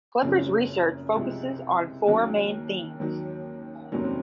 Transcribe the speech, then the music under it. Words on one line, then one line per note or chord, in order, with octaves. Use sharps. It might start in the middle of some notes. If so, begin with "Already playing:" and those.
Clifford’s research focuses on four main themes.
F#1 F#2 C#3 F3 C4
C2 C3 F3 G#3
D#2 D#3 F#3 C#4
D#2 D#3 F#3
F1 D#2 D#3 F#3 C#4
C4